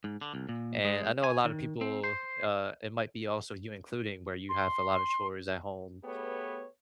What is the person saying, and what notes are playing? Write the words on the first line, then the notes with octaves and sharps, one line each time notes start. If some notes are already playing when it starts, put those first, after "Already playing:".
And I know a lot of people, uh, it might be also you including, where you have a lot of chores at home,
G#2
D3
C2
A#2
G#3
G#5
D#3
C4
C5
C6
A3 B3 G4 G#4 B4 C#5